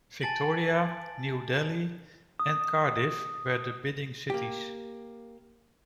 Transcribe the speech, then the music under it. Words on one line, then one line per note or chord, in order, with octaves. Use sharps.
Victoria, New Delhi, and Cardiff were the bidding cities.
G#5 A5 A6 D7 F#7
D#6
A#3 G4